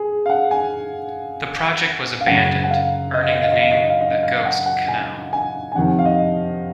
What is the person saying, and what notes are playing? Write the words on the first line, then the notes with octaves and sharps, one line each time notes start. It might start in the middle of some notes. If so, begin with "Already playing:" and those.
The project was abandoned, earning it the name "The Ghost Canal".
Already playing: G#4
F5
F#5
G#5
F5
F#2 C#3 F#5
F#5
F5
D#5
F5
D#5
F5
D#5
F5
D#5
F5
D#5
F5
F#5
F#5
G#5
G#5
G#5
F2 C3 D#3 F#5
F5
D#5